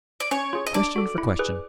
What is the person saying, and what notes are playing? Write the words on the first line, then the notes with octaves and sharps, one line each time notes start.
'Question for question.
D5
C#4 C#5
F4 G#4
D#5
D4 D5
F#4 A4
E4
G#4 B4